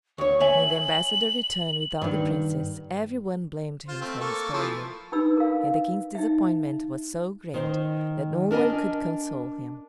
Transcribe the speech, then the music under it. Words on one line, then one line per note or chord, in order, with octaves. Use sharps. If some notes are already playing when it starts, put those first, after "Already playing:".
When the ambassador returned without the Princess, every one blamed him for his failure; and the King's disappointment was so great that no one could console him.
D2 C#5 C#6
C#5 E5 G#5 F#7
G2 D#3
F4 C5
A3 C4
A#3 A4 C#6
E3 F3 A3
D4 D#4 B4 B5 E6
A#4 F5
D#4 E5
D#3 C5
D4 A#4 D#5 G#5